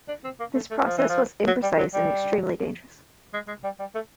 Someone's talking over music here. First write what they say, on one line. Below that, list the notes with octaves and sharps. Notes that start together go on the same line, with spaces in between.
This process was imprecise and extremely dangerous.
D4
C4
A#3
A3
A3
F3
E3
F3
F#3
G3
F#3
G3
G#3
G#3
G3
G3
A3